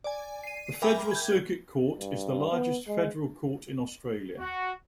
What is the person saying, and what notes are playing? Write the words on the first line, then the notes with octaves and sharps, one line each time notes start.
The Federal Circuit Court is the largest federal court in Australia.
D5 G#5
C7 D#7
A#4 E5 G5 G#5 B5 D6
G6 G#6
G2
B3
G#3
F#4